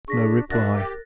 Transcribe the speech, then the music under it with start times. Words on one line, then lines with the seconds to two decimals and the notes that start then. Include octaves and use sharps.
No reply.
0.08 D4 G#4 C#6 A#6 B6
0.50 F2 D4 F#4 A#4 E5 F#6 A6 A#6
0.75 G4